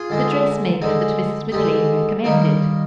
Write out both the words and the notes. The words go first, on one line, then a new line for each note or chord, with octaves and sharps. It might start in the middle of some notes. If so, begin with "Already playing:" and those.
"The dress-maker that Mrs. McClean recommended?"
Already playing: F4 G#4
D3 G#3 D#4
D3 G#3 D#4
D3 G#3 D#4 G4
D#3 G3 A#3 D#4